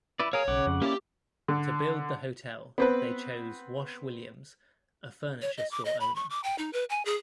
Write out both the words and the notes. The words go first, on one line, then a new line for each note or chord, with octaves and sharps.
To build the hotel, they chose Wash Williams, a furniture store owner.
E4 B4 D5
G#4 A#4 C#5 F5
B1 C#3 F#5 D6
F2
A#3 C#4 E4 G4 D5
D3
B3 C4 B4
C#5
D#5
D6
D#5
B5
C#6
D6
G5
D#4
B4
G#5
G#4